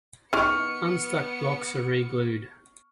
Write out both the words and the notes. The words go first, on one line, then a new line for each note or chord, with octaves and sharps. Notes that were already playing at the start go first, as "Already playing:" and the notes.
Unstuck blocks are re-glued.
D#3 E3 B3 C#6 F6 C#7